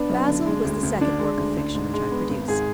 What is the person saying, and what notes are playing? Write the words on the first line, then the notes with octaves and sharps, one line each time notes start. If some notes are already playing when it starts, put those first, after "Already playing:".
"Basil" was the second work of fiction which I produced.
Already playing: B3 D4
B1
D3
G#3
D2
D2
D3 D4
G#3
D2
D2
G#2
G#3
B3
G#1
G#2 G#4